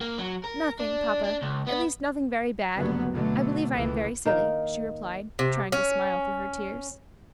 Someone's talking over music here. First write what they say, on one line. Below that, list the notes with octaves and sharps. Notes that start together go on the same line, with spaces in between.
"Nothing, papa; at least, nothing very bad; I believe I am very silly," she replied, trying to smile through her tears.
A#3
F#3
A#4
D4
D4
C#2
B3
F#1 D2 G2 D3 F#3 B3
B2 D3 F#3 A3
C#2 E3 A3
D#3 A#3 D#4
C3
C#4